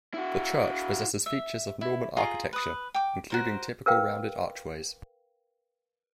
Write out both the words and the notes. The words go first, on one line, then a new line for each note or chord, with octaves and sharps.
The church possesses features of Norman architecture, including typical rounded archways.
E4 F#4
E5
E4
F4 G#4 A#5
B4 D#6
G5 D6
F#4 A#4 C5
A#4 B4 F5 G5